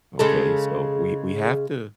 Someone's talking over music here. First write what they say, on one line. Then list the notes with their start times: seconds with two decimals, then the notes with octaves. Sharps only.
Okay? So we we have to,
0.19 C#3 G#3 A4